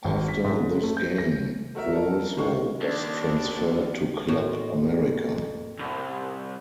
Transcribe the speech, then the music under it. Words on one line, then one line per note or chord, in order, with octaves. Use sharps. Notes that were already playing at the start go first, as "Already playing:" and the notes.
After this game, Vuoso was transferred to Club America.
G#1
B6
G#2
C#3
A3
G6
A#6
A3 F#4 A#4 E5
A4 A#4
A2 D#3 G#3 A#3 C#6
D#2 D4
F2 A2 F4 F#4 A#4
C2